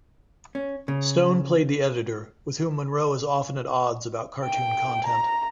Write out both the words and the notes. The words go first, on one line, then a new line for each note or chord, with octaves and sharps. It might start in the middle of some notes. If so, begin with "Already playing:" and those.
Stone played the editor, with whom Monroe is often at odds about cartoon content.
C#4
C#3
G5
A#5